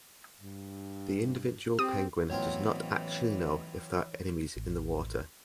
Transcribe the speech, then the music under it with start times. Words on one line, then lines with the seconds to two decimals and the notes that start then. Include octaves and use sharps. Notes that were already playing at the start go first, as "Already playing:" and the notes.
The individual penguin does not actually know if there are enemies in the water.
0.40 G2
1.79 C4 G4 D#6
2.30 A1 E3 F#3 B3 C4 F4 C#5
4.56 A1